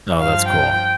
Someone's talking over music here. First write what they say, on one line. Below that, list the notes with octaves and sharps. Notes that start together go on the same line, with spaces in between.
Oh, that's cool.
G2 F3 F5
G5